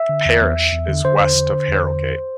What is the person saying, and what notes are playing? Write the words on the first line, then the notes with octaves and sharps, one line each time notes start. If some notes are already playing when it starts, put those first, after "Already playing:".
The parish is west of Harrogate.
Already playing: E5
D3
E2
E2
E2
E2
D3
D3 C5
E2
D3
D3
E2
D3
E2